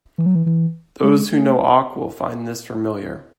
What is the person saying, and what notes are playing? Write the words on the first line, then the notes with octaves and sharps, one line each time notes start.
Those who know awk will find this familiar.
E3
F#3
E3
E3
G#3
A3